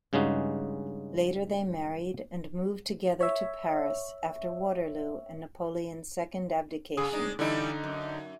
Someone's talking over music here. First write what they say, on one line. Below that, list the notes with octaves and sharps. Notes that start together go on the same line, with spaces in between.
Later they married and moved together to Paris after Waterloo and Napoleon's second abdication.
G2 C#3 G#3 D#4 F#4
C#5 E5
C#3 G#4 D#6
G#3 D4 D#4
D3 E3 G3 D#4 E4
F#2